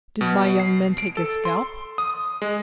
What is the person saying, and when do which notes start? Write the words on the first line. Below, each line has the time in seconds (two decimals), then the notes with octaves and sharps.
"Did my young men take his scalp?"
0.21 B2
0.60 C7
0.98 D7
1.17 A4
1.45 C6
1.98 D#6
2.42 G#3